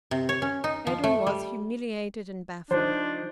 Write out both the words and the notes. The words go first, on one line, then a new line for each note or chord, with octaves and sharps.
Edwin was humiliated and baffled.
C3
C#5
C#4
D#4
F3
A3
G3
F3 D4 D#4 C5